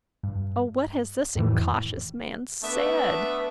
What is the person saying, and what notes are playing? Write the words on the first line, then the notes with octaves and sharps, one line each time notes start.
O what has this incautious man said!
G2
F2 A2 D#3 E3
A3 B3 D4 B4 E5